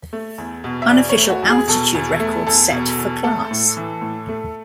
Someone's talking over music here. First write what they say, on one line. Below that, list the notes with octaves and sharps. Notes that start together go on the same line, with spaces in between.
Unofficial altitude record set for class.
A3
E2
B2
E5
E2 D5
C#5
A3
F#4
E2
G#4
B2 A4
E2
A3
E2 A4
B2
E2
A3 A4
A2
E3
A2
A3